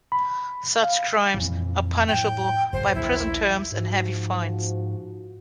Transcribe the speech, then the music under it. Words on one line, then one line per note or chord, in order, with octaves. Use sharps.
Such crimes are punishable by prison terms and heavy fines.
B5
F5
F2 A#2 E3
A2 G5
F#1 A2 C5
A#1 D#2 E4
G#2 F3 F#4